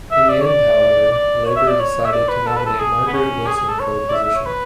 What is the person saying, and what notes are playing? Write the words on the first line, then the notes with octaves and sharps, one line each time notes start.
In the end, however, Labour decided to nominate Margaret Wilson for the position.
E5
D5
C#5
D5
D5
C#5
E5
D5
C#5
E5
D5
B4
A4
B4
A4
G#4
B3
C#4
G#4
G#4
A4
C#5
D5
E5
E5
C#5
B4